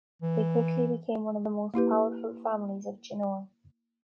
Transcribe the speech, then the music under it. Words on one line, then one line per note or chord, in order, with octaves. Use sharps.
They quickly became one of the most powerful families of Genoa.
E3
A#3 E4 G4 B4